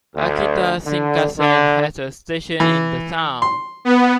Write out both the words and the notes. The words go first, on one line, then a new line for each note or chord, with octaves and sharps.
Akita Shinkansen has a station in the town.
D2
D3
D3
E3
C6
B3